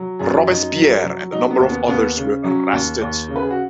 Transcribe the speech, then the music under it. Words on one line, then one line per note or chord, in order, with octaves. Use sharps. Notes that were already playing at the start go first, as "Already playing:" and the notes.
Robespierre and a number of others were arrested.
Already playing: F#3
F#2 G#4
F#2 D#4
F#3
F#3
F#3 D#4
B3
D#2
B3
D#2 B3
C#3
F#3 C#4
D#2
D#2
C#3
B4
G#4
F#4